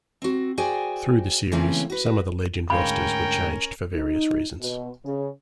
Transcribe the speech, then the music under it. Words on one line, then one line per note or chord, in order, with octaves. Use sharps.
Through the series, some of the Legend rosters were changed for various reasons.
C4 F#4
F#4 G#4 C5 D5 G5 G#5
C#3 E3 A3 A#3 C4 C#4
F#4 B4
D2 G#2 C#4 A#4 F5 G5 B5
D#4
B2
C#3